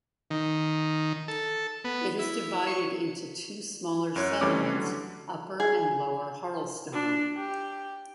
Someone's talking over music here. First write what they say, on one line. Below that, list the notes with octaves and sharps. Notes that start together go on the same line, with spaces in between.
It is divided into two smaller settlements, Upper and Lower Harlestone.
D#3
A4
B3
E4
C#6
F#2 C#5 F#6
F2 E3 G3 A3 C#4 D6
D3 F#3
G#4
D4
G4